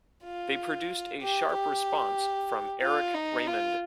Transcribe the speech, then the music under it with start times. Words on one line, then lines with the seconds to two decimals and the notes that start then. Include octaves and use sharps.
They produced a sharp response from Eric Raymond.
0.24 F4
1.20 G4
1.53 G4
2.82 F4
3.14 D#4
3.46 F4